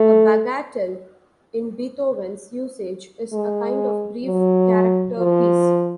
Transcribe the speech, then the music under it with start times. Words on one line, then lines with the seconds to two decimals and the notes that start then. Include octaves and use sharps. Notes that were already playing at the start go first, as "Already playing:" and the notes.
A bagatelle, in Beethoven's usage, is a kind of brief character piece.
Already playing: A3
3.33 G#3
4.25 F#3
5.18 F3